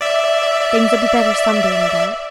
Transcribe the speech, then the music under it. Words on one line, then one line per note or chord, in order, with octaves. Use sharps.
Things'll be better some day, no doubt.'
D5 E5